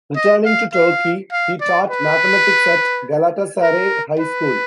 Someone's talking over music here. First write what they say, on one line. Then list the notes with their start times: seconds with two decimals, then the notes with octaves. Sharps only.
Returning to Turkey, he taught mathematics at Galatasaray High School.
0.16 D#5
0.45 F5
0.73 F5
1.32 F5
1.60 D5
1.90 B4
3.62 A#4
4.19 B4